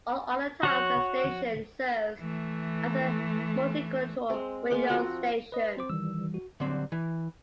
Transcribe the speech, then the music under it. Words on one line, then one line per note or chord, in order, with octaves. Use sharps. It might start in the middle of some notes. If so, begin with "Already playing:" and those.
All other times the station serves as a multicultural radio station.
F#4 C#5 F#5
E3 A3
G#3 C4
G#3 A#3 C6 D6
F3 C4 F#4 A4
B4 D#5
C4 C5 D6
D#3 E3 G3 E6
F#4
D3 F#3 G3 C4 C5
E3